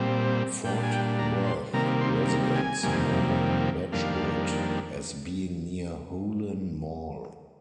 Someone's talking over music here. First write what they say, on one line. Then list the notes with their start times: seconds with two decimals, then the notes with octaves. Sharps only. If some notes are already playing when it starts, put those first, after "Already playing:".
Fort Worth residents know Wedgwood as "being near Hulen Mall".
Already playing: A#2 G3 C4
0.64 A#2 G3 D4 G5
0.83 G#5
0.93 G5
1.19 A#5
1.46 C6
1.73 C3 D#3 G3 A#3 A#5
2.01 C6
2.28 A#5
2.55 G#5
2.83 F2 C3 D#3 G3 A#3
3.92 F2 D#3 G3 A#3 D4 F5